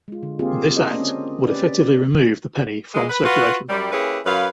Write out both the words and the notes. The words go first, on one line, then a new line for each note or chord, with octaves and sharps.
This act would effectively remove the penny from circulation.
G#3 F4
D3
A#3 C4 F4 G4 G#4
D4 F4 A#4 C5 D#5
C4 C#4
C#4 G4 B4 D5
A#2 E3 G#3
B4
F4 F#4 B4
F#2 G3
A#3 C#4 E4 G4 G#4 B4
F#2 B4 F5